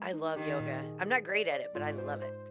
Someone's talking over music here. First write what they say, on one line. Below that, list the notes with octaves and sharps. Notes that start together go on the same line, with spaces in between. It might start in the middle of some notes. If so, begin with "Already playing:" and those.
I love yoga. I'm not great at it, but I love it.
Already playing: G#3
D#4
D#3 G4
A#2
G#4
G#4
D5
D5
G#2 F4
C5
C5